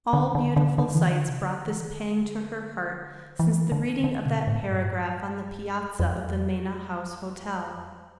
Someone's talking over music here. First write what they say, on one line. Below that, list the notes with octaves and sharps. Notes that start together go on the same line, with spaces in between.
All beautiful sights brought this pang to her heart since the reading of that paragraph on the piazza of the Mena House Hotel.
D3
D3
D3
D3
E3
D3
C3
D3
E3
D3
E3
D3
D3
B2
A2
G2
F2